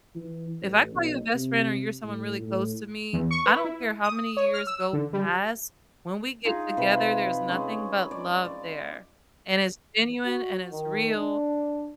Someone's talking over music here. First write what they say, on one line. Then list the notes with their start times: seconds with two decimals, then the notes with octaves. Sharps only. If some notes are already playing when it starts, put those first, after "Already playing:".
If I call you a best friend, or you're someone really close to me, I don't care how many years go past. When we get together, there's nothing but love there, and it's genuine and it's real,
0.15 E3
0.61 A1
0.94 B1
1.34 C3
2.03 A2
2.41 A2
3.13 E2
3.31 C#6
3.46 B4
3.65 E4
4.03 D#6
4.37 C#5
4.54 F6
4.67 E6
4.93 D3
5.13 G3
6.45 D#4 F4 G#4
6.77 C3 B4
7.48 G#3 C#4
8.11 D5
8.45 D5
10.26 F#4
10.72 D#3
11.16 D4